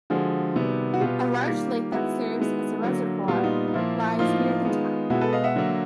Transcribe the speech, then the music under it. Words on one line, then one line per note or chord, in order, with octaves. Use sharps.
A large lake that serves as a reservoir lies near the town.
D3 F3 G#3 F#4 G#4
C3 D#3 G3 B3
F#4
B2 G3 B3 F4 G4
D#3 G3 A#3
D#3 G#3 B3 E4 F#4
D#3 G#3 B3
D3 F#3 A#3
A#2 G3 B3 F4
F#4
D#4 F4
D#4
A#2 F3 A#3 E4
A2 F3 A#3 D#4 F4
D#3 G#3 B3
B2 G#3 B3 E4 F#4
A4 B4
D#5 F5
E5 F#5
D3 F#3 A#3